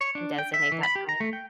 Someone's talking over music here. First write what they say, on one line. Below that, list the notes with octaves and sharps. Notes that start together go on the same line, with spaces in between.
and designate that time.
C#5
D4
G5
E5
E3
B5
G4
A#5
A3
G5